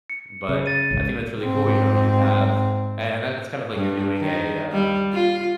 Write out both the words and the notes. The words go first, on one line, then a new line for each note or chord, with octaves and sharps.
But I think that's really cool, you know, you have a and that's kind of like you're doing a, uh
C#7
C#3
A6 D#7
G#1 C#2
G#2 C4
G2
D#3
G3
F4